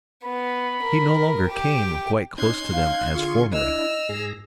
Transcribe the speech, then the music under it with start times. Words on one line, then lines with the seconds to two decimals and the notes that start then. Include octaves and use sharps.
He no longer came quite close to them as formerly.
0.24 B3 B5
0.83 A#4
1.49 G4 G5
2.38 C#4 D#4 C6 F#6 G#6
2.73 F5
3.14 D3 F4 G#4 C#6
3.52 D4 E4 D#5 E6 F6
4.09 G#2 G#4 A#6